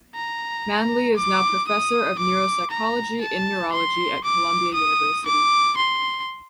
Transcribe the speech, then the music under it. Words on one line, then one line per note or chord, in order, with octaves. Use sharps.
Manly is now Professor of Neuropsychology in Neurology at Columbia University.
A#5
D6
D#6
D6
A#5
A5
C6
D6
D#6
D6
C6